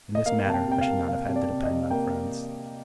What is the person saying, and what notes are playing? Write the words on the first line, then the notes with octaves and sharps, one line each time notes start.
In this matter I should not have had to depend on friends.
D#5
A#3 F5
C3 A5
G5
C3 G5
F5
A#3
C3 F5
C3
D5
C3
D#5
C3
A#3 G5